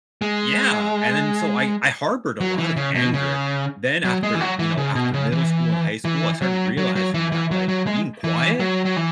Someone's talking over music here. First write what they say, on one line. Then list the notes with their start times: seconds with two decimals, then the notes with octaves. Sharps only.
yeah, and then so I I harbored a lot of anger. Then after you know, after middle school and high school, I started realizing that, like, being quiet
0.22 G#3
2.41 F#3
2.58 E3
2.76 C#3
2.95 B2
3.14 C#3
4.04 F#3
4.23 G#3
4.35 E3
4.41 F#3
4.59 E3
4.77 C#3
4.95 B2
5.14 C#3
5.32 E3
6.05 E3
6.42 F#3
6.77 F#3
6.96 F#3
7.14 E3
7.32 E3
7.51 F#3
7.69 F#3
7.87 G#3
8.24 E3
8.60 F#3
8.85 F#3
8.96 E3